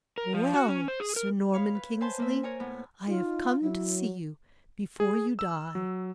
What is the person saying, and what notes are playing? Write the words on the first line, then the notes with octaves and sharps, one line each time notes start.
"Well, Sir Norman Kingsley, I have come to see you before you die."
A#4
F3
F#4
C#4
C5
G#4
A#4
C#5 F5 B5
B4
B4 C5 G#5 A5 C6
A#3 E5
A#4 C#5 G#5
A2 B3
D#4 F4
F#3 E4
G#4
E6
F#3